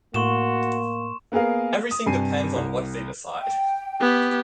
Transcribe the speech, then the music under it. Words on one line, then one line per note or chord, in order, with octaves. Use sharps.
Everything depends on what they decide.
A2 A#3 F#4 C6 C#6 E7
A#3 B3 G#4 A#4 F5
D#6
G2 C3 G#5 C7 D#7
C2
G5
B3 G4